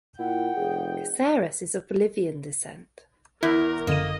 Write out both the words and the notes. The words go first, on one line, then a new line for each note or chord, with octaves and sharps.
Caceres is of Bolivian descent.
A#2 E4 F#5 G5
F1 G#4
E2 E4 A#4
F#2 D3 A#3 D#5 D#7